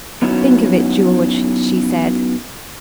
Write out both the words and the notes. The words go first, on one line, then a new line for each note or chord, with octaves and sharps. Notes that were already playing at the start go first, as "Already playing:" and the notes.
"Think of it, George," she said.
F#3 B3 C#4 D#4 E4 F#4